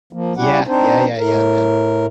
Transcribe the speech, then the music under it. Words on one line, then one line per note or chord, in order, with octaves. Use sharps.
Yeah. Yeah, yeah, yeah, man.
F3 A#3
G3 C#4 E4 G4 F#5
C4 D4 D#4 C5
A2 A#4